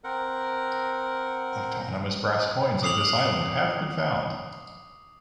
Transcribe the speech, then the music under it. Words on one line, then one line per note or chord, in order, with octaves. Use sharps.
Autonomous brass coins of this island have been found.
C4 A#4 F#5
D6 D#6 C7 F7 F#7